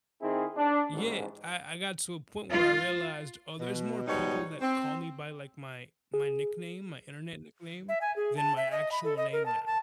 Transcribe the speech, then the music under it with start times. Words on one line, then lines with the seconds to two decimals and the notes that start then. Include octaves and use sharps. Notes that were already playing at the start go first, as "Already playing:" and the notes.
Yeah. I I got to a point where I realized, oh, there's more people that call me by, like, my my nickname, my Internet nickname than my actual name now.
0.22 D#3 C4 D#4 E4 G#4
0.56 D4
0.93 A1 G#2
2.50 F4
3.59 B2
4.07 G#2 B2 G3 D#4 C#5
4.61 C4
6.14 G#4
7.89 E5
8.01 G#5
8.16 G#4
8.37 A5
8.57 E5
8.72 D#5
8.92 B5
9.04 A4
9.17 D#5
9.32 A#4
9.46 A5
9.66 A5